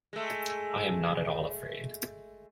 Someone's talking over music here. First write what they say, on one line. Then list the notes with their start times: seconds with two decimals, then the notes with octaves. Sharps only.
I am not at all afraid.
0.13 G#3 A3